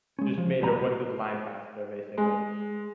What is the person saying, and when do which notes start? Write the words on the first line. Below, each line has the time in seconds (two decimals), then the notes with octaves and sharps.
just made her went through the line faster, basically.
0.19 G#3 C#4
0.38 F3
0.60 C#2 A2 G3 B3 A5 A#5
2.17 G#3